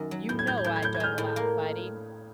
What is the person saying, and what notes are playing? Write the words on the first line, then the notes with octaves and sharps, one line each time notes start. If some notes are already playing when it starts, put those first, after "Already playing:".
"You know I don't allow fighting."
Already playing: F#2 D#3
F#3
A2 G6
G#6
A2 G6
G#6
A2 G6
G#6
A2 G6
G#6
G#3 F6 G6
A2
A#3